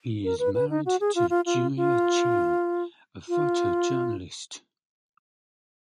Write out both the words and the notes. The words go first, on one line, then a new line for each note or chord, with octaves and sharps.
He is married to Julia Cheng, a photojournalist.
A#4
B4
B4
D#4
F#4
G#4
F4
F4
F4
F4
F4